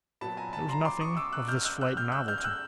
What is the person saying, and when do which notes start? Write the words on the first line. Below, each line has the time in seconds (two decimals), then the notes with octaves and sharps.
There was nothing of this flight novel to me.
0.21 A#2 F#3 B3 A5 B5
0.37 G#5 A#5
0.53 A5 B5
0.69 A#5 C6
0.85 C6 D6
1.01 C#6 D#6
1.17 D6 E6
1.33 E6 F#6
1.48 F6 G6
1.65 E6 F#6
1.81 E6 F#6
1.97 F6 G6
2.12 E6 F#6
2.28 F6 G6
2.38 G6
2.44 E6 F#6